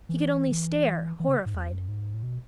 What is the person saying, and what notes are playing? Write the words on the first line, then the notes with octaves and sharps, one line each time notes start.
He could only stare, horrified.
E3
D#3
E3
E3
C#3
G#2
E2
F#2
G#2
A2
B2